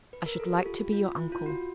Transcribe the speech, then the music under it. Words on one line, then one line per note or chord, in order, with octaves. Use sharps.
I should like to be your uncle.'
B4
A#4
A4
G4
F4
F4
E4
F4
F#4